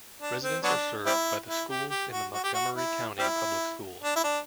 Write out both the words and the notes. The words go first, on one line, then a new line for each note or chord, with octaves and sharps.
Residents are served by schools in the Montgomery County Public Schools.
D4
C4
F#3 B3 D4
G3 C4 E4
E4
G4
G4
F#4
F#4
G4
F#4
E4
G3 C4 E4
D4
E4
D4